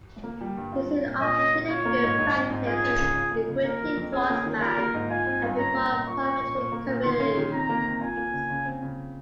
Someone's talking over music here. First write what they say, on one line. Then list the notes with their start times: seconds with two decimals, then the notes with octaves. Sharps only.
He soon obtained a good practice as an equity draughtsman and before parliamentary committees.
0.23 A#3
0.41 G3
0.57 G2
0.72 F4
0.88 C4
1.05 A#2
1.21 A#2 D#5
1.38 C#4
1.54 A#2
1.70 F4 C#5
1.85 A#3
2.03 G#2
2.18 G#2
2.35 C4
2.50 G#2
2.67 F4 G#4
2.83 C#4
2.99 C#3
3.15 F4
3.31 A#3
3.48 C#3
3.64 A#3 A#4
3.80 F3
3.97 F2
4.13 C#4 G#4
4.29 A#3
4.46 D#3
4.61 F4 A#4
4.77 A#3
4.94 G#2
5.10 F4 G#5
5.26 C4
5.42 G2
5.58 C#4 A#5
5.74 A#3
5.91 A#2
6.06 F4 C#6
6.23 C#4
6.40 A#2
6.55 A#2
6.72 A#3
6.88 A#2
7.04 D#3 C6
7.20 C#4
7.37 D#3
7.52 C3 A#5
7.69 A#3
7.85 C3
8.01 F4 G#5
8.17 A#3
8.33 C#3
8.50 C#3
8.65 C4
8.82 C#3